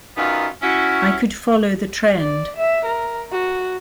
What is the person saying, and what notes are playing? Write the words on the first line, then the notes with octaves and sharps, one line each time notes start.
I could follow the trend.
F#2 D#3 F#3 B3 D#4 F4
C#4 E4 F#4
D5
E5
A#4
F#4